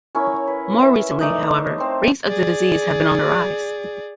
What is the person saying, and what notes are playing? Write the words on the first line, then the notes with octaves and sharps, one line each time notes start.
More recently, however, rates of the disease have been on the rise.
C#4 E4 A#4 C#5
B4
E5
A3 D#4 D5 D#5
C4 C5
G#4 D5